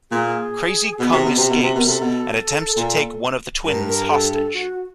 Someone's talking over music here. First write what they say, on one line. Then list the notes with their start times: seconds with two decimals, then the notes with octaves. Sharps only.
Crazy Kung escapes and attempts to take one of the twins hostage.
0.11 A#2 G#4
0.99 B2
1.12 C3
1.25 B2
1.38 C3
1.50 B2
1.63 C3
1.75 B2 A#4
1.88 C3 A4
2.01 B2
2.76 A#2
3.65 G2 A#4
3.87 A#4
4.09 A4
4.32 A4
4.53 F#4